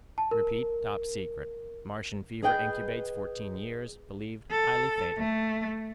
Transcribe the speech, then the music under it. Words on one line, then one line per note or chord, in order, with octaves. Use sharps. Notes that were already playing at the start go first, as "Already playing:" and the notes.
Repeat topsecret. Martian fever incubates fourteen years, believed highly fatal.
A5
A#4
G#4 B4 D#5 G5
A4
A3